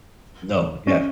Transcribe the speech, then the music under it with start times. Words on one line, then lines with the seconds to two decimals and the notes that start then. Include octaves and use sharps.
No, yeah.
0.87 C#4